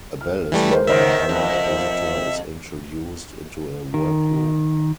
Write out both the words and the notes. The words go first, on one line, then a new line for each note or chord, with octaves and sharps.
A bell is rung whenever a visitor is introduced into a workroom.
F6
E3 G3 A3
G#3 A#4 C5
G#2 D#3 A#4 C5 C#5 E5
F2
D#3